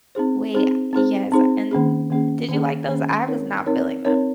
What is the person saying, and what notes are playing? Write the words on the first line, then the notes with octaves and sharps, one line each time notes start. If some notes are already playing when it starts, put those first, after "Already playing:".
Wait, uh, yes, uh, and did you like those? I was not feeling them.
C4 D#4 G#4 C5
C4 D#4 G#4 C5
C4 D#4 G#4 C5
C4 D#4 G#4 C5
D#3 A#3 C#4 G#4
D#3 A#3 C#4 G#4
D#3 A#3 C#4 G#4
D#3 A#3 C#4 G#4
C4 D#4 A#4 C#5
C4 D#4 A#4 C#5
C4 D#4 A#4 C#5